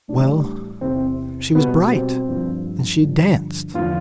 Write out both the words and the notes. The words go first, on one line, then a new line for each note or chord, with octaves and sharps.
Well, she was bright; and she danced.
A2 E3 G3 D4
E2 C3 E3 C4
B2 G3 B3
C4
G2 F3
G2 D3 F3
E2 D3 F3 F4